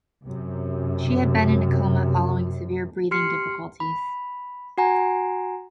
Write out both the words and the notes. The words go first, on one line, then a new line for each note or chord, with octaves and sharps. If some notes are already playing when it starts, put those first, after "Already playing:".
She had been in a coma following severe breathing difficulties.
F#2 C3
G4 C6 F6 C7 C#7
B5
F#4 F#5 G#5 A#5